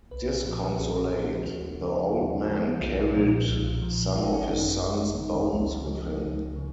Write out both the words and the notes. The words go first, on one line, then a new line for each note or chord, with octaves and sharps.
Disconsolate, the old man carried some of his son's bones with him.
B1 B4
A#2 F3
F#4
B1 G#4
A#2 F3
D#2 F#4
C#3 F3
D#2
C#3 F3
B1 F4
A#2 F3
B1
A#2 F3
G#1 F4
D#4
C#4
D#4
D#3
F#2
G#1
F#2 D#3
C#2
C#3 F3
C#2 D#4
C#3 F3